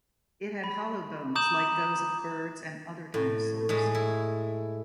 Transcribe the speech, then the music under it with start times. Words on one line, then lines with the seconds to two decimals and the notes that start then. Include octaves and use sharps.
It had hollow bones like those of birds and other dinosaurs.
0.64 B5
1.35 A#5 D6 D#6 G6 E7 F#7
3.14 A2
3.69 A2 G#3 B5
3.95 E4